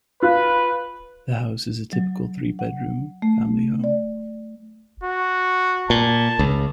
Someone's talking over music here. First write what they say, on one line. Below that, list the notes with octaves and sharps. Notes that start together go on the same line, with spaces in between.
The house is a typical three-bedroom family home.
F4 B4
F#3
F#5
A3
D5
F#4
A#2 A5
C#2